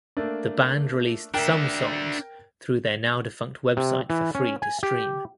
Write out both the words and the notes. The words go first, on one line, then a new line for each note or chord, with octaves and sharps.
The band released some songs through their now defunct website for free to stream.
A3 A#3 D4
D4 A#4 E5 G5
C3
E3
C#4
G#5
G4